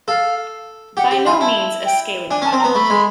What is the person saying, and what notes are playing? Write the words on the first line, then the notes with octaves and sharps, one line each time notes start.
By no means a scaly project.
A4 F5
G4 F#5
G4 G5
F4 G#5
E4 A5
G5
D4 G#5
C#4 A5
C4
A#5
B3
A3 B5
G#3